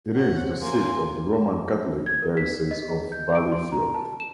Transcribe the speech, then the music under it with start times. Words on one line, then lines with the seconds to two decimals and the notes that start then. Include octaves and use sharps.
It is the seat of the Roman Catholic Diocese of Valleyfield.
0.15 F3 C5 C#5 F#5
0.61 F#3 A3 A#3 C#4 G#5 C6
2.06 G#6
2.22 A#4
2.37 B6
2.71 D#5
2.89 G#4
3.12 G6
3.35 D7
3.52 C6
3.72 A#5
3.94 A5
4.20 E7